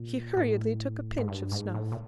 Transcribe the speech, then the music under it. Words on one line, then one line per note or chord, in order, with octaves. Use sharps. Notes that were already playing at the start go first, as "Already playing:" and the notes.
He hurriedly took a pinch of snuff.
Already playing: A#2
A2
G#2
G2
G#2
A2
A#2